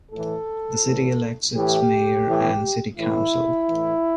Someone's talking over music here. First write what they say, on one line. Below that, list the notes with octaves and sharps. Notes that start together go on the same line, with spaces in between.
The city elects its mayor and city council.
A2 E3 A4
A2 E3
A2 E3 G4
A2 E3
A2 E3 E4
A2 E3